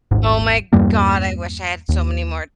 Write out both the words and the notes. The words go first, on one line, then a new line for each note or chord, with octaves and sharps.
Oh my God, I wish I had so many more
D#1 G#1 G#2
E2 G2 G3 A#3
D#2